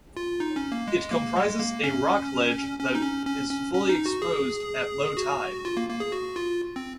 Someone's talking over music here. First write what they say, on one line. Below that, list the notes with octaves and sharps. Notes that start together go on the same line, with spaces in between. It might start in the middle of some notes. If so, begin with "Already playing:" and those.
It comprises a rock ledge that is fully exposed at low tide.
F4
D#4
C#4
A#3
G#3
A#3
G#3
A#3
C#4
C#4
D#4
C#4
C#4
C#4
C#4
D#4
F#4
G#4
F#4
F4
A#3
A#3
G#4
F#4
F4
C4